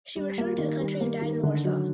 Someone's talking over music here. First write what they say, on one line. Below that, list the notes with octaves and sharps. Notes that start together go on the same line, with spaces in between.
She returned to the country and died in Warsaw.
G3
A#3
D#3
G3
A#3
D#3
D3
F#3